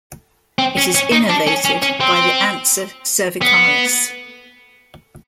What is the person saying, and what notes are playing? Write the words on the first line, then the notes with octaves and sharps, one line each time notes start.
It is innervated by the ansa cervicalis.
C4
C#4
C#4
D#4
D4
C#4
C#4
C#4
C4
B3